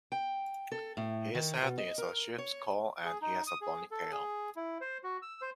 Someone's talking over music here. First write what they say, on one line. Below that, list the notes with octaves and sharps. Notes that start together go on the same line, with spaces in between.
His head is a sheep skull and he has a bony tail.
G5
A4
A2
D#3
B2
D#5
A#4
C#5
G#4
D#4
D#6
G#4
A4
G#4
E4
C5
F#4
E6
C5